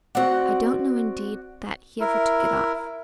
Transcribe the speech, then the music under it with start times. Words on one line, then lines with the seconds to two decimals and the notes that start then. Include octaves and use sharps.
I don't know indeed, that he ever took it off.
0.15 C4 F#4 D5 F#5
2.00 E4 A#4